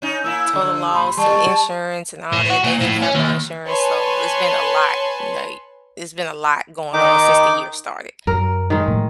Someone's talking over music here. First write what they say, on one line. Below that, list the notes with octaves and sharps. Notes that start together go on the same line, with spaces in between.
total loss and insurance, and all that. They didn't have no insurance, so it's been a lot, n like, it's been a lot going on since the year started,
C#4 D#4
A#3 E4 E6
G2 D3
A2 B5 C6
G3 A5 C#6
A2
F#4
A#2
A2
C#4
D#2
B4 C#5 G#5 A5 C6 C#6
D#3 D#4 D6
F#2 A#4
D#3 G#3
A2 F3